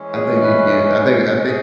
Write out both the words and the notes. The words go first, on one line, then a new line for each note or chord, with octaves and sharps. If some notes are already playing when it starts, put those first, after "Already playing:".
I think it can I think I think,
Already playing: E3 G#3 C#4
G#4
B4
B2 G#4